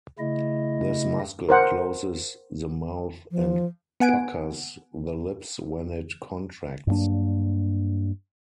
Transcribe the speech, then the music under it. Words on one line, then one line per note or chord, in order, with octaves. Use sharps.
This muscle closes the mouth and puckers the lips when it contracts.
C#3 A3 E4 D#5
A#4 C5 F#5
F3
B3 F#5 G#5 D7
G2 F#3 A#3 D4